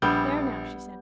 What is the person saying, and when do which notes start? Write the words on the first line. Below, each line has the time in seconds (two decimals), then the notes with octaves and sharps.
'There, now!' she said.
0.02 A#1 G3 B3 G6